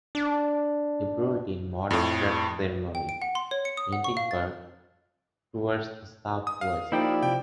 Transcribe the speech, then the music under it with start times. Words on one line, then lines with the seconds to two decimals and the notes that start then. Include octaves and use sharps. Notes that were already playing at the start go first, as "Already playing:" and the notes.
He is buried in Morningside Cemetery, Edinburgh, towards the south-west.
0.15 D4
1.91 F2 A2
2.95 G5
3.09 D7
3.22 F#5
3.35 C6
3.51 C#5
3.65 C#7
3.77 D#6
3.93 F#5
4.04 C#6
4.17 F5
4.31 A6
6.47 D#6
6.61 F5
6.92 F3 A#3 D#4 E4 G4 D5 G5
7.23 C3 G5